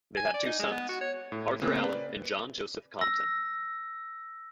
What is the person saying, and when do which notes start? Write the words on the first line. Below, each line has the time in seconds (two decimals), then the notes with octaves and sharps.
They had two sons, Arthur Alan and John Joseph Compton.
0.17 G#5
0.34 D5
0.46 D#4
0.59 G#3
0.71 B3
0.89 F#4
1.01 C#5
1.32 A2
1.62 C#3 A#3 C4
1.83 B4 D5
3.01 E6 A#6